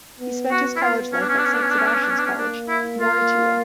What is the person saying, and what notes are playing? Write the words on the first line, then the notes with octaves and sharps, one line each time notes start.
He spent his College life at Saint Sebastian's College, Moratuwa.
B3
B3 F#4
E4
B3 F4
C#4
D4
C#4
D4
C#4
D4
C#4
D4
C#4
D4
C#4
D4
C#4
D4
C#4
A#3 D4
E4
F4